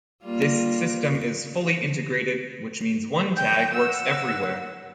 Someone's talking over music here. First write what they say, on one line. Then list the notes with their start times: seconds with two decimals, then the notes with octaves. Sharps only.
This system is fully integrated, which means one tag works everywhere.
0.24 G3 A#3 F4
3.37 G5 G6
3.74 F#5 E6